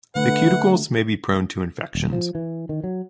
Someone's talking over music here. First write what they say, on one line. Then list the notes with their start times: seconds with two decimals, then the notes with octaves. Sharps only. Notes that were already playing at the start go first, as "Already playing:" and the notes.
The cuticles may be prone to infections.
0.15 D3 A3 B4 F#5
1.95 D#1
2.13 F3
2.35 E3
2.69 D#3
2.84 F#3